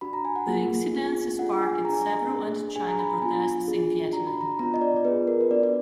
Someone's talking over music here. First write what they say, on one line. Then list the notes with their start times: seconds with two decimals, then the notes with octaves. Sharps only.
The incidence sparked several anti-China protests in Vietnam.
0.01 D4 F#4 B5
0.13 A#5
0.25 G#5
0.36 F#5
0.47 A#3 F4 G#4 F#5
0.93 B3 F4 G#4
1.39 D4 F4 G#4 F#5
1.62 G#5
1.84 G#4 A#5
1.89 D4 G#5
2.02 A#5
2.30 D4 G#4
2.76 D4 G#4 G#5
2.88 A#5
2.99 B5
3.10 A#5
3.22 B3 D4 F4 G#5
3.68 D4 F4 G#4
4.13 D4 F#4 A#5
4.27 B5
4.41 A#5
4.59 B3 D4 F4 A#5
4.74 D#5
4.81 D5
4.96 D5
5.05 B3 F4 G#4 B4
5.27 A#4
5.41 B4
5.50 B3 D4 F#4 D5
5.63 D5